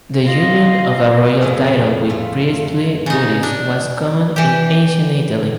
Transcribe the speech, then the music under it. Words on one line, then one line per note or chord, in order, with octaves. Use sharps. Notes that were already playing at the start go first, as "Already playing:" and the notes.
The union of a royal title with priestly duties was common in ancient Italy.
F4 D#5
F2 A2 G#4
A3 F4
C#3 D#4
D4
E3 G4